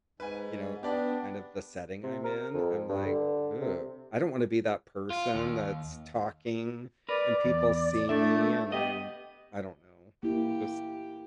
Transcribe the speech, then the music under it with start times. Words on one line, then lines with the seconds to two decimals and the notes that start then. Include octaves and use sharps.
you know, kind of the setting I'm in, I'm like, "Ew, I don't wanna be that person that's talking, and people see me, and I'm" I don't know, I just
0.20 G#2 B4 G#5
0.83 B3 D4 G4 D5
2.03 C3
2.24 A#4
2.54 F2
2.89 G2
3.06 D3
3.61 C3
5.10 F4
5.35 D#2
7.09 A#4 B4 D5
7.44 E2
8.09 A3 D4 E5
8.72 B3 G4 D#5
10.23 A#3 E4 G4